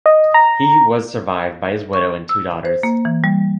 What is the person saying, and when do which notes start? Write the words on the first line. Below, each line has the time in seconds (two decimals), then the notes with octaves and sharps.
He was survived by his widow and two daughters.
0.06 D#5
0.34 A#5
1.93 C#6
2.29 E6
2.65 C5
2.83 A#3
3.05 E3
3.24 G3